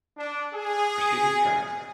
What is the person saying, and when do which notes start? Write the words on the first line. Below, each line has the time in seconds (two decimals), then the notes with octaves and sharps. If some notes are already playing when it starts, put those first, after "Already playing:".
The preceding Turn!
0.18 D4
0.54 G#4